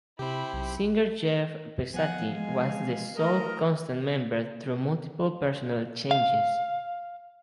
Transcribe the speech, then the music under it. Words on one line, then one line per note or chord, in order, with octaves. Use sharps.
Singer Jeff Pezzati was the sole constant member through multiple personnel changes.
C3 C4 E4 G4 B5
B1
E3 F3 B3 F5 F#5 G#5
G#3 G#5
E3 A3 A#4 D#5 A#5
F5